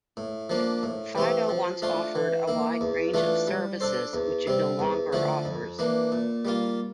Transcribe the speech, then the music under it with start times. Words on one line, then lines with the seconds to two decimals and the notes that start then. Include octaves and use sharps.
Fido once offered a wide range of services which it no longer offers.
0.17 A2
0.50 F3 A#3 D4
0.83 A2
1.16 E3 A3 C4 G4
1.49 F3
1.82 A3 D4 F4 C5
2.15 E3
2.48 A#3 E4
2.81 E2
3.14 E3 A3 D4 F4
3.48 G3
3.81 D4 A4 C5
4.13 E2
4.47 C3 G3 C4
4.79 E2
5.12 D3 F3 A3 E4
5.45 F2
5.79 E3 A#3 D4
6.12 A#2
6.45 G3 A#3 F4